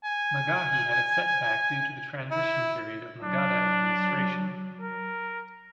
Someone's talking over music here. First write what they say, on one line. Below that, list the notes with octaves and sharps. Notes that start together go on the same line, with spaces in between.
Magahi had a setback due to the transition period of Magadha administration.
G#5
E4
F#3 D4
A#4